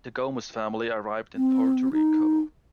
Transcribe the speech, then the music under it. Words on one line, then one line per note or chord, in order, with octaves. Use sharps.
The Gomez family arrived in Puerto Rico.
C4
D#4